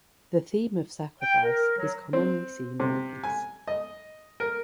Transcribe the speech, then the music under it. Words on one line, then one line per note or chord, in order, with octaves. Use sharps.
The theme of sacrifice is commonly seen in the piece.
G5
A#4
F#3
C4
C3
G#5
D#5
A#4